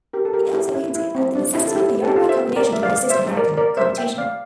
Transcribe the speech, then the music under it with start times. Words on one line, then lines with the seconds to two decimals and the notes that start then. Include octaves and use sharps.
He also hinted at the necessity for European combination to resist American competition.
0.13 G4 A#4
0.25 A4
0.33 G4 A#4
0.54 E4 G4
0.74 E4
0.95 E4
1.15 C4
1.35 D4
1.55 E4
1.67 A4
1.75 E4 G4
2.03 A4
2.09 G4
2.16 F4 A4
2.29 C5 E5
2.56 A#4 D5
2.73 E5
2.83 D5 F5
3.10 C5 E5
3.37 A#4 D5
3.57 A#4 D5
3.77 C5 E5
3.98 E5 G5
4.18 D5 F5